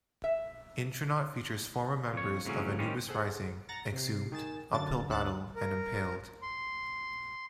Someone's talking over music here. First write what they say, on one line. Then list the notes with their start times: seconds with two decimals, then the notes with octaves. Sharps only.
Intronaut features former members of Anubis Rising, Exhumed, Uphill Battle, and Impaled.
0.24 E5
2.13 F2 C#5
2.45 F2 A2 C#3 F#3 C#4
2.79 D#3 G3 C4 C#4
3.09 G#4 A4 C5 F#5
3.68 F#5 A#5 A6 A#6 C#7
3.93 C3 C7
4.32 D#3 G#4 A6 E7
4.72 F#2 D3 D4 A6
5.09 D2 E6 F#6 A6
5.56 A#4
6.43 C6